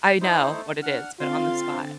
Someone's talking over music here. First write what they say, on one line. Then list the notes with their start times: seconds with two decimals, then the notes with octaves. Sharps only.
I know what it is, but on the spot,
0.21 D#4 E4 C5
0.51 A3
0.82 D4 F#5 F6
1.20 D3 C4 F4 F5 C6 A6